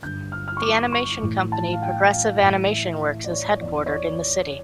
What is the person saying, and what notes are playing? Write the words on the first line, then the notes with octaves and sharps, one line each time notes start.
The animation company Progressive Animation Works is headquartered in the city.
G2 D3 G6
F6
F6
C#6
D6
C#6
A2 E3
A5
F5
G5
F5
A2 E3
E5
D5
C#5
E2 E3 D5
C#5
D5